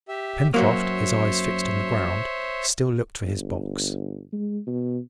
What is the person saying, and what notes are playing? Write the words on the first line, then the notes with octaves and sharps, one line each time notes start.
Pencroft, his eyes fixed on the ground, still looked for his box.
G4 E5
F#2 F#3 A#3 C5 C#5 E5
G1
G#3
B2